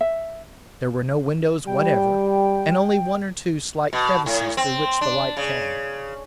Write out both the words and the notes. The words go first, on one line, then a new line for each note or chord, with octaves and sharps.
There were no windows whatever, and only one or two slight crevices through which the light came.
E5
G3 G5
B2
A2
C4
D4
C#3